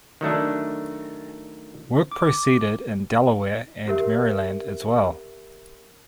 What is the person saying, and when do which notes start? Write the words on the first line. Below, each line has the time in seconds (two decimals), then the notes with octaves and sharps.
Work proceeded in Delaware and Maryland as well.
0.21 D#3 F#3 A3 D4
2.12 D6
3.88 G4 A#4 E5